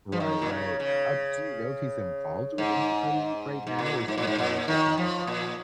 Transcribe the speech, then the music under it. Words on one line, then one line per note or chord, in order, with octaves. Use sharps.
Right, right. Um, do you know if he's involved with anybody right now or is he kind of just on his own?
F3
D#3
A#2
C#3
C#3
G#2
G#2
A#2
G#2
A#2
G#2
A#2
D#3
F3
A#2